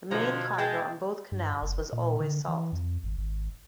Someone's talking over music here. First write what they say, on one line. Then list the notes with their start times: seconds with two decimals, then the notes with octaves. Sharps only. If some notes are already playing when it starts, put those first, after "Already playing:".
The main cargo on both canals was always salt.
0.11 B2 D3 F3 A#5 G#6
0.58 G#3 G5 A5
1.32 G2
1.62 F#1
1.92 A#2
2.20 D3
2.48 E3
2.72 F2
3.04 G#1
3.18 G#1